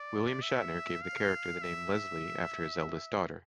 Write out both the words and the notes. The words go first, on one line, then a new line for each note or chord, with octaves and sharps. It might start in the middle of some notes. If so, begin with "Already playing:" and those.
William Shatner gave the character the name Leslie after his eldest daughter.
Already playing: D5
E5
F5
E5